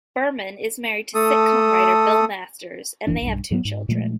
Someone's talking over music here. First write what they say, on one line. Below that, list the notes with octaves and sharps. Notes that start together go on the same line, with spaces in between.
Berman is married to sitcom writer Bill Masters and they have two children.
A3 A4 D#6
F#1 F2 E3 D4
B1 G2
G#2 F#3 A#3 B3
G#2
A#2 F3 G#3 A3